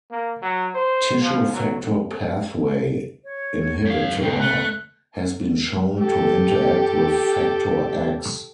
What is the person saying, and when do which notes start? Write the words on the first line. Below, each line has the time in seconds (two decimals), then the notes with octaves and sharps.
Tissue factor pathway inhibitor has been shown to interact with Factor X.
0.11 A#3
0.42 F#3
0.75 C5
1.22 F3
1.53 F#3
3.24 C#5
3.86 F#2 F5
4.22 G#2 B2 G5
4.40 A3 F#6
5.99 G4 A4